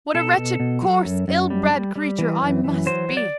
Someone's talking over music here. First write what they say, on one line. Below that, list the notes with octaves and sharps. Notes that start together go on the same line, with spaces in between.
What a wretched, coarse, ill-bred creature I must be!
B2 A4
B2
B2
F#3
F#2
F#2
G3
G3
G3
E3
F#2
E3
F#3 C5
F#3
D5